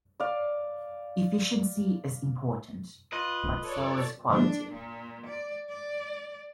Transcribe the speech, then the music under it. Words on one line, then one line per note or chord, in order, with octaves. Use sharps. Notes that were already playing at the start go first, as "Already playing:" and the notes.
Efficiency is important, but so is quality.
D5 F5
F4 B4 D#5
A4 C#5 D5
D4
A#2
D5
D5